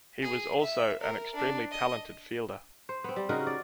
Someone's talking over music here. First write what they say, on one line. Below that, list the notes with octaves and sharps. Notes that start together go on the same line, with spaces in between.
He was also an extremely talented fielder.
G#4
E5
A#4
D4
D#5
C5
B3 C4
G3
C#3 D#4 F#4 A#4
D5